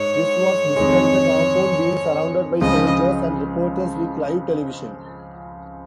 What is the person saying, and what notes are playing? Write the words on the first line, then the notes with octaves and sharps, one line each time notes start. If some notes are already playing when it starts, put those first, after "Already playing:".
This was despite the compound being surrounded by soldiers and reporters with live television.
Already playing: G#2 C#5
F2 D#3 G#3
C#2 C#3 F3 D#5